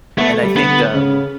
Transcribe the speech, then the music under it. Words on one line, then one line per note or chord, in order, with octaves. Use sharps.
And I think, um
A3 B3
A3
G3
D3 B3
C#3